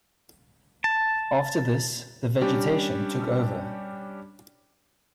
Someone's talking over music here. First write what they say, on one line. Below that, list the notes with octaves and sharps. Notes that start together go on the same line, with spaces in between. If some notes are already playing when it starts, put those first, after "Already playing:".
After this, the vegetation took over.
A5
G3 C#4 D4 G4